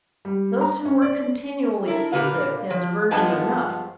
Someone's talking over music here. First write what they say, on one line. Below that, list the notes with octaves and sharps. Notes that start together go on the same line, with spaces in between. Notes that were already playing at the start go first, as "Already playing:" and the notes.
Those who were continually seasick had diversion enough.
G3
A#5
C#4
D5
E4 A4 A#4
A#2 D3 F3 A#3 B4 F5
F3
G2 F3 G#3 B3 A5